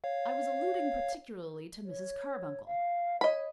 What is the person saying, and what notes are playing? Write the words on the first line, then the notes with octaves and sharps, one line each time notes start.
"I was alluding particularly to Mrs. Carbuncle."
C#5 F5
C#5
F5
C#5 D#5 B5